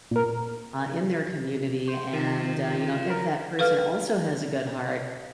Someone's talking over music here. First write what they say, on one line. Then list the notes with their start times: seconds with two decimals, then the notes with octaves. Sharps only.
uh, in their community, and, uh, you know, if that person also has a good heart,
0.11 A#2 A#4
1.87 C5
2.13 D#3 F4 C5
3.09 A#4
3.59 A4 B4 F5 F6